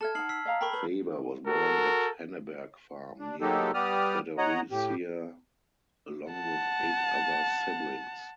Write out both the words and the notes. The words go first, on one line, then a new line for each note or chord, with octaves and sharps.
Faber was born at Henneberg Farm near Fredericia along with eight other siblings.
A4 E5 A5 F6 G#6
D#4 F#5 F6 C7 F#7
E6 B6 C7
D#5 F5 A#5
A#4 G5 A#5 B5 C#6
B4 F#7
F#4 A4 A#4
D4
F#3 G#3 A#3 D#4 G4 A4
G3 B3 G4 D5 D#6 F6
C#5 D#5 F#5 A#5
A2 G4
F#5 A5